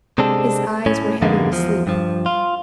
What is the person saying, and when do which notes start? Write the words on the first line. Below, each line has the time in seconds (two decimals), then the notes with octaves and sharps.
His eyes were heavy with sleep.
0.18 C3 G#3 C4 D4 A4
0.86 A2 C#4
1.22 F2 G#2 D3 G#3 A#3 B3
1.50 E2 F3
1.87 G2 F3
2.26 F4